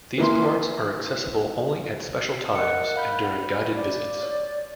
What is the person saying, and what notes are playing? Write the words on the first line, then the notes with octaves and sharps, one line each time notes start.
These parts are accessible only at special times and during guided visits.
E3 A#3 E4 C6
A#4 D#5 F#5 C#7
F5 B5 G6
D5
C#5